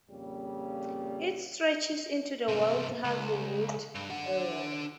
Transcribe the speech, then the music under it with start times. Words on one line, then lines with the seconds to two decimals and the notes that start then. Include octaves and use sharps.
It stretches into the wealthy Hadley Wood area.
0.10 F2 A#2 C#3 G3
2.48 G2 C3
3.04 C#2
3.95 G2
4.10 D4 F#5